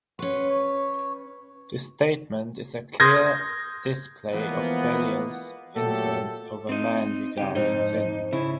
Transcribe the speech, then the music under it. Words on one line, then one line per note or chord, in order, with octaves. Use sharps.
This statement is a clear display of Belial's influence over man regarding sin.
C#4 B4 F#5 C6 C#6
C#5
C6 D#6 G6 G#6 A#6
E3 F3 G#3 A#3 B3
A#2 F#3 A3 G4 A4
C4 D#4
C#3 D#4 G4
F2 G#2 D#4
C#3 E4